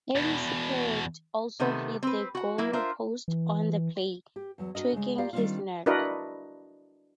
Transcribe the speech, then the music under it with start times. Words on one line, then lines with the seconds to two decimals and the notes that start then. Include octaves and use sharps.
Ainge's head also hit the goalpost on the play, tweaking his neck.
0.16 E2 B2
1.60 C3 D#3 A3 B3
2.03 C4 B4
2.35 F#4 F#5
2.58 F#3 A#3 E4
2.73 D4 F4 A#4 C5 E5
3.28 E3
4.36 G4
4.58 E2 F#3
4.75 D4 F#4 G4 A#4 D#5
4.92 C#3 G#3
5.18 F4 G4 A#4 D5 F5
5.33 D#3 G3 G#3 C4 D4 F4
5.86 D4 E4 F#4 A#4 B4 D#5